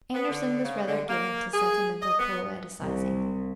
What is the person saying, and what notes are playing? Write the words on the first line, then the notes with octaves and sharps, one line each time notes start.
Andersen was rather given to sentimental poetising.
B3
D3
C#3
D3
A#3
G#4
D#5
B3
C2